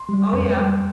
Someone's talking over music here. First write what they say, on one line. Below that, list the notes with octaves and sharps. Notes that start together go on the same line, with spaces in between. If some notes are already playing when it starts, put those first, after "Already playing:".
Oh, yeah.
Already playing: C6
G3
F2
G3